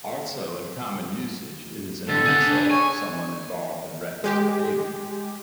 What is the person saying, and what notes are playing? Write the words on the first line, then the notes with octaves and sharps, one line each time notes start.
Also in common usage it is an insult for someone involved in reckless behavior.
A2 D3 A4
G#4 F#5
D4
C#5 G#5
G#3 G4